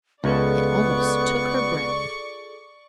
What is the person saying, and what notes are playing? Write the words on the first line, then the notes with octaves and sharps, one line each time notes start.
It almost took her breath.
C#2 B3 F4 G#4 A4 D5 C#6